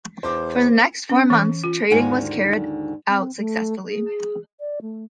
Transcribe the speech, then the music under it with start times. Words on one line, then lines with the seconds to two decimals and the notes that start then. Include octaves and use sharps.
For the next four months, trading was carried out successfully.
0.23 E2 C5 D6
1.09 C#4
1.30 E3
1.64 F4
1.90 D#2 G#2 D3 F4 F#4 G#5
3.08 C4
3.38 A3
3.87 G#4
4.60 D5
4.82 A3